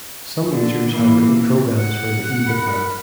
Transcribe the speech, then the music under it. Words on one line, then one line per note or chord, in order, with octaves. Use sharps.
Some users have written programs for the eBookMan.
D3
E3 A#3
F#5
A#4 B5